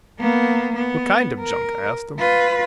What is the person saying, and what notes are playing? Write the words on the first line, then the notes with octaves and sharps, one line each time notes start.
"What kind of junk?" I asked him.
A#3 B3
B3
A#4
F4 B4